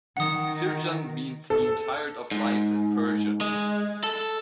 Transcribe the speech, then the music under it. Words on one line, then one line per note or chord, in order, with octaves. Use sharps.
Sirjan means "being tired of life" in Persian.
D#3 F#5 D#6
A4
G#2
G#3
A4